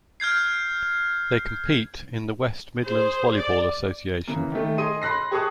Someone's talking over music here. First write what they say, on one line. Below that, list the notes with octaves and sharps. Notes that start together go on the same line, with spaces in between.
They compete in the West Midlands Volleyball Association.
F6 G6 G#6 C7
G#4 C5
D5
C#3 E3 A#3
D#3 A3
G#4 D#5 C6 D#7
B5 C6 F#6 A#6 C7
G4 G#4 A5 C#6 D#6 F#6